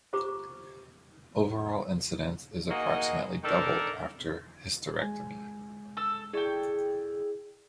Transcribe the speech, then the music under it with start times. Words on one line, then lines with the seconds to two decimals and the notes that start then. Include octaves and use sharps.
Overall incidence is approximately doubled after hysterectomy.
0.13 F4 G4 C5 A#5 C#6 D6
2.69 A#3 D#4 F#4 G#4 D#5
3.43 D#3 D4 A4 A#4 D5
5.01 G#3 G#5
5.97 A4 E6
6.33 E4 G#4 A4 D5 G5 C#6